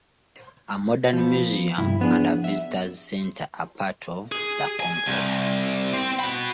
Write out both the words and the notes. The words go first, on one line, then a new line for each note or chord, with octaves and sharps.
A modern museum and a visitors center are part of the complex.
F3 B3
C2 G2 E4
F3 B3 D4 G#4
E5
G#4
G#5
C2
C4
F#4 B5